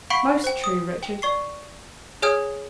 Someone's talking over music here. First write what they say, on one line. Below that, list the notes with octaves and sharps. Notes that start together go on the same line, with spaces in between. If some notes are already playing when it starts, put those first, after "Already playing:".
'Most true, Richard.
F5 F#5 B5 C#6 B6 D7
C5 G5
D#6
G5
D5 C#6 C7
G#4 C#5 G#5 D#6 F6 G#6